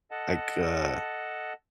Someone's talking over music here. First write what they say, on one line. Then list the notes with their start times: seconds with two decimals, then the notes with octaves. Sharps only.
like, uh,
0.11 A4 D#5 F#5 A5